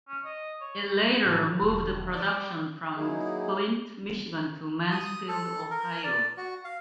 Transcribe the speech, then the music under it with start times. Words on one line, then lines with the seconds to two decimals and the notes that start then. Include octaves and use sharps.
It later moved production from Flint, Michigan to Mansfield, Ohio.
0.08 C#4
0.25 D#5
0.61 C#5
1.25 A2 D3 F#3
1.62 E1
2.14 G3 D5
2.96 F#3 A#3 D#4 E4 G#4
4.92 D#6
5.28 A4
5.71 A#4
6.04 D5
6.37 F#4
6.65 F5